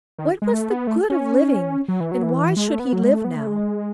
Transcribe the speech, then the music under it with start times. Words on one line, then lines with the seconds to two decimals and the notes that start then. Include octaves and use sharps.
What was the good of living, and why should he live now?
0.19 D#3
0.42 G#3
0.53 A3
0.71 B3
0.87 A3
1.10 C#4
1.88 F#3
2.00 E3
2.12 F#3
2.23 E3
2.56 G#3
2.68 A3
2.79 B3
2.93 F#3
3.03 G#3
3.14 A3
3.24 B3
3.36 A3
3.47 G#3